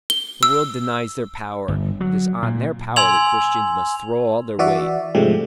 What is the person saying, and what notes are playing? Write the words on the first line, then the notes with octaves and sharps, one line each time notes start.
The world denies their power: it is on their power that Christians must throw all their weight.
G7
E6
G1
F#3
A#2
G#5 C6 E6 G#6 F7 F#7
E3 F#4 D5 E5
G#2 C3 F3 G#3 A3 G4